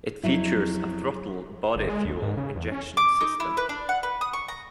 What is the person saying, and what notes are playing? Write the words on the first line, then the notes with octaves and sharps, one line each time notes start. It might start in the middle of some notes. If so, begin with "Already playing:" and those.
It features a throttle body fuel injection system.
F2 F#3 E4
G1
G#3
D#2
G#2
C#3
E2
C#4
D6
D#4
E4
B4
D4
F#5
B4
D#6
C#6
A#5